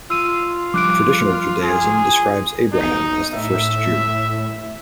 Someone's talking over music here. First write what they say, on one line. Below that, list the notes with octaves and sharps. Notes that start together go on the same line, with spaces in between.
Traditional Judaism describes Abraham as the first Jew.
F4 E6 D#7
F3 G3 D4 D6 F#6 D7
G#4
B1 D#4
A2 E5